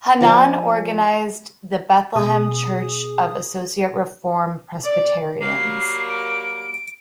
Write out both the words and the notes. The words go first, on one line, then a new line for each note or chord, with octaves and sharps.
Hannan organized the Bethlehem Church of Associate Reform Presbyterians.
F3 D5 G#5 A5
B2 G#4 D#6
D5
F#3 G3 A#3 C7
D7